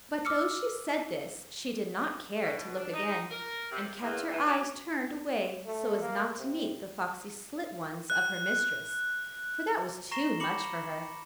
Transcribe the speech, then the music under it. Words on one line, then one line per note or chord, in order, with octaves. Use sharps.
But though she said this she did not care to look again, and kept her eyes turned away so as not to meet the foxy slit ones of her mistress, for that was too much for her.
D6 E6 F6 C#7
B2
D4
D#4
A#4
C3
E2
E3
F#3
A3
A#3
C3
F#6
A#5 C#6 A#6 C7 E7 G7
B5 D6 C#7 F#7